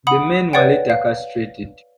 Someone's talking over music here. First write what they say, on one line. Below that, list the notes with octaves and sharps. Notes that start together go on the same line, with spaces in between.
The men were later castrated.
F#5 B5 D#6
B4 C#5 D5 F#5 G5
F5